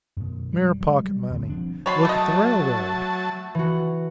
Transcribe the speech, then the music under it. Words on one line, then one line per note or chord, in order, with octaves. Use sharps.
Mere pocket money! Look at the railroad!
F#2 B2
G3
F#3 G#3
G3
D#1 B1 D3 C4
F3 C4 D4
F#3 C#5 A5 B5 C6
A3 D#5
E3 F#4